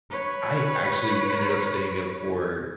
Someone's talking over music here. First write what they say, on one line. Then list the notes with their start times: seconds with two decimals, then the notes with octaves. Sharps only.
I actually ended up staying up for
0.10 B4 C#5